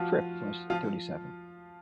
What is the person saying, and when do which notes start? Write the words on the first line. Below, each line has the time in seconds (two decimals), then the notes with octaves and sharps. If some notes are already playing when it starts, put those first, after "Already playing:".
Fripp was thirty-seven.
Already playing: F3 F4 F#4
0.70 F3 F4